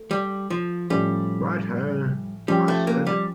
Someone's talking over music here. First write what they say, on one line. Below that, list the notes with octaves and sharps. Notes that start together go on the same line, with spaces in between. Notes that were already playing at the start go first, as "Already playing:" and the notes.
"Right ho," I said.
Already playing: A3
G3
F3
A2 F3 G3 A3 C#4
F3 G3 C#4 G4
A3
A#3
G3